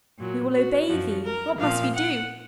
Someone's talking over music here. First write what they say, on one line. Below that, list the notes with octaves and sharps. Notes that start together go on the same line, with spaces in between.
We will obey thee, what must we do?
A#2 F#3
F#4
F#2 F3 F#4
A#4
A#2 F3 F5
F#5